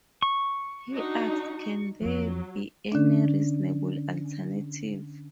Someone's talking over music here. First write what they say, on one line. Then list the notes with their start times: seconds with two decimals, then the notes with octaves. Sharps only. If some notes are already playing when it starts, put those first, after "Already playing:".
He asked Can there be any reasonable 'alternative'?
0.22 C#6
0.92 D4 D#4 F#4
2.01 F2 F3 F#3
2.92 D3 C#4 D4